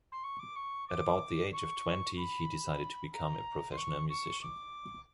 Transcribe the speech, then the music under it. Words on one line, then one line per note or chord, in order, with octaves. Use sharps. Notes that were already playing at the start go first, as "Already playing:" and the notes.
At about the age of twenty, he decided to become a professional musician.
C6
C#6
D6
C#6
D6
C#6
B5
A#5
C6
C#6
C#6
D6